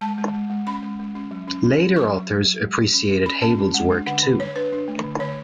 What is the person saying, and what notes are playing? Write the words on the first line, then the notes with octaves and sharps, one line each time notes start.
Later authors appreciated Hebel's work too.
G#3 A5
G#3
G#3
G#3
C#4 B5
G#3
G#3
C#4
F#3
C#4
C#4
F#3
F#3 C#6
F#3
F#3
F#3
G#3
C#4
C#4
C#4
C#4 B5
C#4 A5
C#4
G#3 F#5
D4
D3 F#5
D3
D3 C#5
D4 B4
D4
A3
D3
D3 C#5